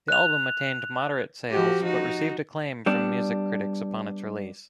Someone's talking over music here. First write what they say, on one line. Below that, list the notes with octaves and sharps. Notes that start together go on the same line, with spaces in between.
The album attained moderate sales, but received acclaim from music critics upon its release.
F#6 F7
F3 F#4 G4
D#4 F#4
G3 B3 D4